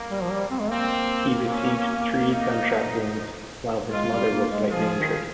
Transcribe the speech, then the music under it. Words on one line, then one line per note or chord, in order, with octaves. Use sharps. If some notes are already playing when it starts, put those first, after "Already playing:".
He received three gunshot wounds while his mother was slightly injured.
Already playing: A#3
G3
F3
G3
C4
G#3
A#3 C4
C#4
D#4
G#3 F4
G3
A#3
G#3
F3 F4 G#4
D#3